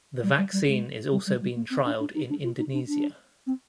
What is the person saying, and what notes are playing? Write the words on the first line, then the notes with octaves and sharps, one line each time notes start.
The vaccine is also being trialed in Indonesia.
G3
G3
G3
G#3
G3
G3
G3
A#3
C4
D4
D4
D#4
D4
F4
D#4
D4
D4
C4